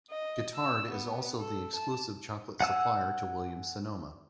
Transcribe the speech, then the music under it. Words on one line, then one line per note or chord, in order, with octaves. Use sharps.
Guittard is also the exclusive chocolate supplier to Williams-Sonoma.
D#5
E6
B3
A4
A5
F#5 G#5 E6